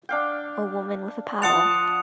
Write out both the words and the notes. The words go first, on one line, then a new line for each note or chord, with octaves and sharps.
A woman with a paddle.
D4 F5 G5
F3 F#5 A5 D#6 C#7 F7